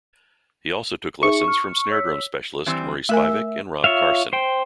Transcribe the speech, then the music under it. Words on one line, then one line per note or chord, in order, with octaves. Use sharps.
He also took lessons from snare drum specialist Murray Spivack and Rob Carson.
D#4 G#4 E5 C#6
F6
C#5 E6 B6
E3 G3 C4
A3 A#4 E5 G#5
F4 C#5 E5 F5
C5 G5